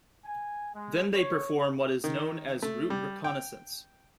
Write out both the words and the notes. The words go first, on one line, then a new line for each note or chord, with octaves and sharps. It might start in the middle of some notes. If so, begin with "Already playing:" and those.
Then they perform what is known as route reconnaissance.
G#5
G#3
C#5
D#3
A3
G3
G5